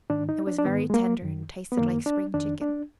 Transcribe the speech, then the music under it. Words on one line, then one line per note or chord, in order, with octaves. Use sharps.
It was very tender and tasted like spring chicken.
G#2 D#3 D4
D#4
D4
D4
G#2 D#3 B3
G#3
A#3
F#2 D#3
B3
F#2 D#3 A#3
D4
F2 D#3 D4
D4